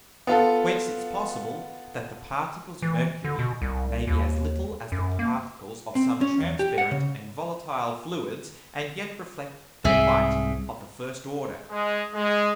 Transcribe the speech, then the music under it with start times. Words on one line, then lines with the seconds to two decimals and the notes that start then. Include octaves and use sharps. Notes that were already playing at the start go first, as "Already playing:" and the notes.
Whence it's possible, that the Particles of Mercury may be as little as the Particles of some transparent and volatile Fluids, and yet reflect the white of the first order.
0.27 B3 F4 A4
2.82 E3
3.24 D3
3.39 B2
3.62 C2
4.07 D#2
4.92 F#2
5.19 A#3
5.95 C4
6.21 C#4
6.40 E2
6.59 G4
6.78 F#5
6.91 C#3
9.85 C2 G#2 G#4 E5
11.70 G#3
12.13 G#3